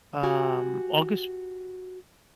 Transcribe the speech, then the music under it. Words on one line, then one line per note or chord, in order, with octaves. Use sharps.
um August
F#4 G4 G#5